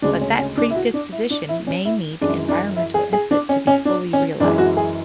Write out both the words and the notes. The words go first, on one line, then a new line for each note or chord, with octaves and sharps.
But that predisposition may need environmental input to be fully realized.
D2 C#3 G#3 D4
C#4
C#4
D4
E4
F#4
D4
E4
D4
E4
C#4
E4
F#2 E3 G#3 D4
D4
E4
G#4
G#4
D4
C#4
C#4
D4
C#4
F#2 E3 G#3 D4
F#4
G#4